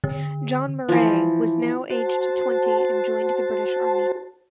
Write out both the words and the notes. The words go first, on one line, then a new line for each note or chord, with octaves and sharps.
John Murray was now aged twenty and joined the British Army.
D3
E3 F3
F#4 C5 A5